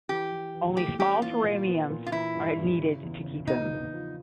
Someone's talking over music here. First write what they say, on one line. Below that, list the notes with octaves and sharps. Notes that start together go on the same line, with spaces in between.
Only small terrariums are needed to keep them.
E3 G4
E3
E3
A3 G4
C#4 G4
E3 F4
A#2
B3
A#2
F4
E3 E4
G2
G2
C#3
E2
C#3
B3 D#4
B3
F3